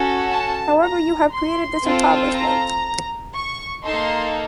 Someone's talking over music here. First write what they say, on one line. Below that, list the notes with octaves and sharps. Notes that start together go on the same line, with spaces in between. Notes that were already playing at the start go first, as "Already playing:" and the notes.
However you have created this impoverishment.
Already playing: C#4 F#4 A4
A5
A#5
C6
C4 F4 A4
A#5
C#6
A#3 D#4 A4 C6